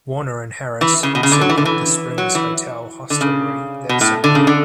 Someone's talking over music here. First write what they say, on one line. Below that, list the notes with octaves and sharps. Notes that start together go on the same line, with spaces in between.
Warner and Harris also built the Springer's Hotel hostelry that same year.
E3
C#3
B2
C#3
D3
F#3
E3
D3
E3
F#3
E3
D3
C#3
B2
A2
D3
C#3
D3